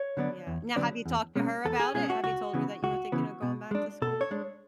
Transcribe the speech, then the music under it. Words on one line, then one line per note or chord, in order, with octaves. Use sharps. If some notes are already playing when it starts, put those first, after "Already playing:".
Yeah now, have you talked to her about it? Have you told her that you were thinking of going back to school?
Already playing: C#5
D3 F#3 B3 D4
E2
D3 F#3 B3 D4
E2
B2 G#3 C#4
E2 A4
G#4
B2 G#3 C#4 G#4
F#4
C#2 F#4
C#3 E3 B3
C#2 F#4
C#3 E3 B3
B2
G#3 D4
B2 A4
C#5
G#3 D4